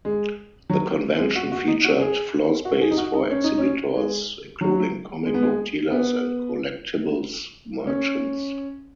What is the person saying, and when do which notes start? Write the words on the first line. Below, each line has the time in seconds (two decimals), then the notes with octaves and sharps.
The convention featured floorspace for exhibitors, including comic book dealers and collectibles merchants.
0.05 G#3
0.70 F#3
1.19 G#3
1.35 F#4
1.52 F#4
1.67 D#4
1.84 F#4
2.00 G#4
2.65 F#4
2.81 G#4
2.91 D#4
2.97 F#4
3.13 D#4
3.30 C#4
3.44 D#4
3.58 C#4
3.96 G#3
4.61 F#3
5.26 G#3
5.34 B3
5.43 G#3
5.91 B3
7.87 C#4